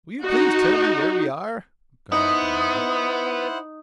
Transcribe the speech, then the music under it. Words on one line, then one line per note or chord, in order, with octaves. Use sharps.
"Will you please tell me where we are?" Gunnar demanded.
D#4 F#4
B3 D#4 E4 C5 F#5